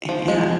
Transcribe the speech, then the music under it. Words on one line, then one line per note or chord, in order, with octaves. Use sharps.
Eh, yeah.
F3
G#3